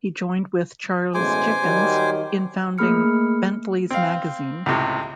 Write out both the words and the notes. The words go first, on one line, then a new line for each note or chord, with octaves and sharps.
He joined with Charles Dickens in founding "Bentley's Magazine".
A1 B2 G#3 C5 G#5 D6
D#3 F#3 G3
A3 A#3 G#4 B5 F6 C#7
C4 F5
C#2 A2 C3 G4